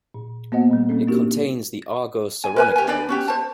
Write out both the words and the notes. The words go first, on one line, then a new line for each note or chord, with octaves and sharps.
It contains the Argo-Saronic Islands.
A#2
A#3 B3 F#4 C5 D#5 F#5
A#2 G3
G3 A#3 C4 C#4 A4
A#3 D4 D#4 F#4 G4 A#4
G#5
A#4 B4 G#5
G4 G#5
D4 B4 D5
C#4 F#4 G4
C5 A5